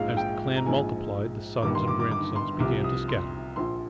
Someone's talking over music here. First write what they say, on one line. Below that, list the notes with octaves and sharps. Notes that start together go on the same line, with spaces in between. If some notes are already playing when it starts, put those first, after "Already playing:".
As the clan multiplied the sons and grandsons began to scatter.
Already playing: A#1 G#2 F3 F5
G5
A#5
A#1 G#2 F3 G#5
G1 G2 D#3 D6
C6
D6
D6
D6
C6
C2 C3 F3 D6
D#6
C6
A#1 A#2 F3 C6